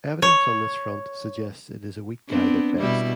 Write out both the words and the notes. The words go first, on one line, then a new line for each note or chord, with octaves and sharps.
Evidence on this front suggests it is a weak guide at best.
C#5
B3 C4 D4
B2 G3 E4